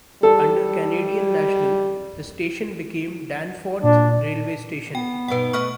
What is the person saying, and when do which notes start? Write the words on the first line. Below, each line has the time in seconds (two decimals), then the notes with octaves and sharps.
Under Canadian National the station became Danforth Railway Station.
0.23 G3 A4
3.84 A#2 D4
4.95 B3 G5
5.28 G2 B2 D#4 B4 F#5
5.53 A3 B4 D#5 C#6 F6